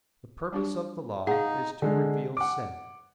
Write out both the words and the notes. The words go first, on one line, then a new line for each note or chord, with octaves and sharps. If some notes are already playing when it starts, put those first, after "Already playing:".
The purpose of the Law is to reveal sin.
G3 D4 G4
D#4 G#4 F5 F#5
D3 G#3
F#5 D6